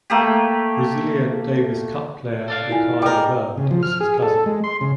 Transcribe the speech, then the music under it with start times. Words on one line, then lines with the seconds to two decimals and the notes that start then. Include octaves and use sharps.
Brazilian Davis Cup player Ricardo Bernd is his cousin.
0.10 A3 A#3 G4
2.48 A4 D5 F5
2.69 E4 F4 G#5
3.02 G3 G#4 A#4 D#5 G5 D6
3.58 C#3
3.71 F3
3.83 F6
4.00 G#4
4.22 A4
4.46 G#3
4.64 C6
4.81 C#3